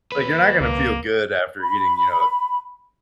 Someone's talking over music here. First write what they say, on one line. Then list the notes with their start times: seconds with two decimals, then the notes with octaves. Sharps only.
like, you're not gonna feel good after eating, you know, a
0.12 D#2 B4
0.61 C#2 A#3
1.61 B5